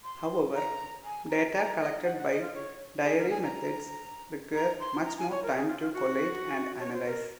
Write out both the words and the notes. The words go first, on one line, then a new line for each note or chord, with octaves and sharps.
However, data collected by diary methods requires much more time to collate and analyse.
C6
A#5
G#5
A#5
A#5
D#5
F#5
F#5
D#5
F4
C#5
G#4
A#4
G#5
A#5
A#5
C6
A#5
G#5
C#5
A#4
G#4
F4
F4
F#4
C#5
C5
A#4